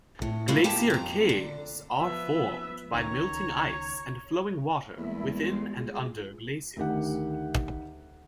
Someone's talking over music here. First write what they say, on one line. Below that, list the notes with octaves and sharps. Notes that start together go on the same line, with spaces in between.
Glacier caves are formed by melting ice and flowing water within and under glaciers.
A2
D#3 G3 A3 A#3 E4 F4
A#3 G4 G5 A5
F2 A#5
D3
F3 B3 E5
C#2 D#3 C#5 A#5
E2 G3 G#3 A#3 E5 B5
G4 C6
F4 G#4
D2 D#3 G4 F#5